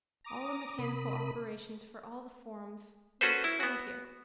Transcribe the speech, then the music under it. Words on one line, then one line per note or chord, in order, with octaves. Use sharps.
All the mechanical operations for all the farms were performed here.
A#5 D6 D#6
C3 A#4 B5 D#6
C#4 F#4 A4 B4 C5
E4
B3 F#4